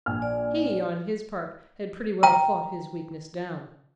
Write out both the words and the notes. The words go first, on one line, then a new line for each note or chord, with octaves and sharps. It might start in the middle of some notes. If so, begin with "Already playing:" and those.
He, on his part, had pretty well fought his weakness down.
A#1 G#5 F6
D5
G5 A#5